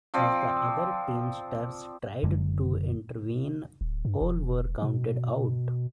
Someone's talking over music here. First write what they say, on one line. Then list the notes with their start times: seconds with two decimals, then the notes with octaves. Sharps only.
As the other Teamsters tried to intervene, all were counted out.
0.14 F3 C4 D5
2.23 F#1 F#2 D3 G#3
3.81 D1
4.05 G2
4.21 E1
4.82 B2